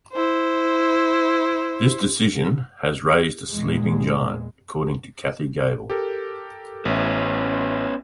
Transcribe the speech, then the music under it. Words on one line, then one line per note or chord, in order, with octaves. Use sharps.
This decision has "raised a sleeping giant" according to Kathy Gable.
E4 C5
E2 A#2 G#3
G4 A4 A#4
A1 B3 C#4 E5